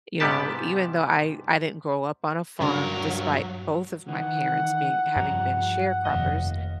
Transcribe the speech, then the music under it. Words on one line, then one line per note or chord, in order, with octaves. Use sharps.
you know, even though I I didn't grow up on a farm despite both of my parents being having been sharecroppers,
G#2 C3 G3 B3 G4 A5
G2 C#3 F#3 D4 A#4
D#3 E3 F#5
G2 F3 G3 A#5
F1 D#2 D#5 F5